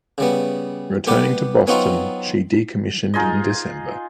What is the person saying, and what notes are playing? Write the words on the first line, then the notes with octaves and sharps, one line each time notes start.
Returning to Boston, she decommissioned in December.
C#3 G3 B3
G3 B3 G4 B4
F#3 B3 C4 D#4 F4 F#4
D#4 F4 G#4 D#5